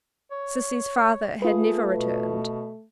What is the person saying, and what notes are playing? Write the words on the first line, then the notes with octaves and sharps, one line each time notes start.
Sissy's father had never returned.
C#5
A3 F4 G#4 B4
B2